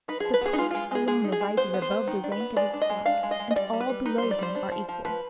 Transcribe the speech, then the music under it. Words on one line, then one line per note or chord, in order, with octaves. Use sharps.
The priest alone rises above the rank of his flock, and all below him are equal.
D#4 B4
F3 G#4
B4
B3 G#4
D#4
G#3 F4
G#3 F4
G#3 G#4
G#3 G#4
D#4
G#4
G#3
B3 C5
B3
C5
B3
D#3
D4
B4
B3
G#3 D5
D4
D#5
G#3
D4 F5
G#3
D#5
G#3
D#5
G3 D5
G3
B4
G3
D#4 B4
G3 C5
D5
G3 C5
D4
F3
F3
F3 B4